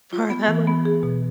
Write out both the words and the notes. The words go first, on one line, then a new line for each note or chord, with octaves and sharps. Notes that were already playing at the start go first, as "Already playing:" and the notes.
For that long
F4
B3
E3
B3
G#4
B2